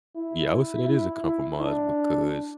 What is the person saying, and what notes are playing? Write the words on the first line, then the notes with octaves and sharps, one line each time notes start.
Yeah, I would say it is a compromise because,
E4
E4
E4
D4